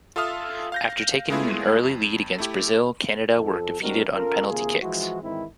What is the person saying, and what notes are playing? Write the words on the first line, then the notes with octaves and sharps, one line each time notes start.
After taking an early lead against Brazil, Canada were defeated on penalty kicks.
F4 A4 E5 F5 D#6 F6
F5 G6 A#6
G#3 A3 B3 E4 F4 G#4
F2
A3 E4 G4
F2 A4
G3 C4 D4 D#4 F#4 A#4
C#4 F4 A4 A#4
D#2 C3 A#3 F4 G#4
E3 F3 G#3 E4 F#4
G#2 D#3 E3 G#3 C4 E4